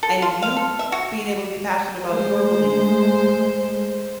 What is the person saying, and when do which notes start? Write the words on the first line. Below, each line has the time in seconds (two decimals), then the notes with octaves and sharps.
and you being able to be passionate about your belief,
0.03 A4
0.22 F4
0.42 F5
0.57 A4
0.79 E5
0.92 F#4
2.04 G#3 A3 C5